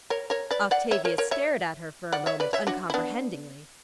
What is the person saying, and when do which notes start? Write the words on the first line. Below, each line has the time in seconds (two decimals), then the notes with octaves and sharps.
Octavia stared at her for a moment uncomprehendingly.
0.10 A#4 C#5
0.30 A#4 C#5
0.51 B4 D5
0.71 D5 F#5
0.91 C#5 E5
1.05 A#4 C#5
1.18 A#4 C#5
1.31 C#5 E5
2.13 D5 F#5
2.26 C#5 E5
2.40 B4 D5
2.53 C#5 E5
2.67 D4 F#4
2.90 E4
2.94 B3 D4